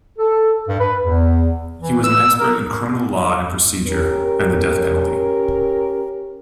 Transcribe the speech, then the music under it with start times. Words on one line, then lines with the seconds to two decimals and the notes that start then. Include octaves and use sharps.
He was an expert in criminal law and procedure, and the death penalty.
0.19 A4
0.69 G2
0.80 B4
1.02 E2
1.78 E3
2.04 E6
2.40 A#4
3.86 C#4 G4 A#4